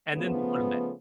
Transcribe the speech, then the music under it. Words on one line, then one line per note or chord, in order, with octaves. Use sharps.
and then they put 'em back.
C#3 F3 A3 B3